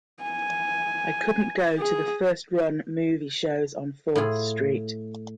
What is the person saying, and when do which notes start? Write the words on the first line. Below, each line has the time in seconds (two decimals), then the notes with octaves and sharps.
I couldn't go to the first-run movie shows on Fourth Street.
0.22 G#5
1.78 G#4
4.16 A2 F4 G#4